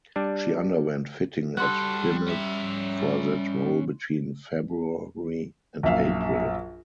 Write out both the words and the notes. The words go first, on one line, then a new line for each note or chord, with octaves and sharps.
She underwent fitting at Plymouth for that role between February and April.
G3 D4
G3 F#4 A4 C6 F#6
C#4 E5
A#1 F#2 E5 F5